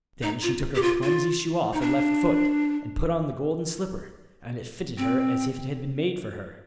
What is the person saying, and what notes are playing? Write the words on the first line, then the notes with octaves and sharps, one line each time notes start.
Then she took her clumsy shoe off her left foot, and put on the golden slipper; and it fitted her as if it had been made for her.
D#4
F4
G4
F4
F4
D#4
D4
C4